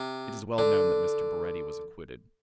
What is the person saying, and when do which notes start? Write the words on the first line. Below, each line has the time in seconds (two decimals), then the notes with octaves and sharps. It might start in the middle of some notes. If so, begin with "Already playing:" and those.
It is well known that Mr. Baretti was acquitted.
Already playing: C3
0.58 D3